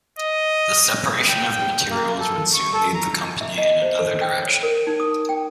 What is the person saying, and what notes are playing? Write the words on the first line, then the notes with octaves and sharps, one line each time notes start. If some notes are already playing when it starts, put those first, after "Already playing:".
The separation of materials would soon lead the company in another direction.
D#5
G5
G5
A#3
A4
C#6
A4
A#5
E5
D#5
C5
A4
G5
C#5
A#4
D#4
D#6
G5